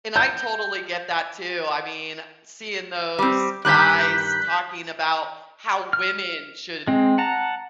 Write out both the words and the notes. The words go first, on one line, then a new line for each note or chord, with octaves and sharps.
and I totally get that too, I mean, seeing those guys talking about how women should
G6
G3 C4
G2 D#3 G3 F#6 G6 B6
F6
G#3 C4
F#5 A5 A#5